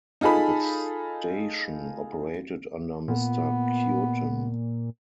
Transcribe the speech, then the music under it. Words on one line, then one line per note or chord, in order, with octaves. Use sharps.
The station operated under Mr. Cureton.
D#4 F4 G#4 A4 B5
A#2 B3